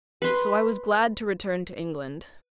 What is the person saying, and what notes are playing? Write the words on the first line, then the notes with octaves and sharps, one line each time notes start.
So I was glad to return to England.
B4 C6